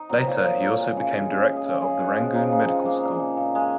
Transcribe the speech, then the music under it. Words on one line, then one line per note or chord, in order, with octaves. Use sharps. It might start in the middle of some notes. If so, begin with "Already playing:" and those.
Later, he also became director of the Rangoon Medical School.
Already playing: D#4
F#3 C4
A#2
F#3
A#2
G#3
C#3
G#3
C#3
G#3
G#4
C#3
C#3 G#4
G#3 F#4
F3 F4
C#3 D#4
C#3
C4
G#3
G#3 A#3
A#2
G#3
A#2
G#3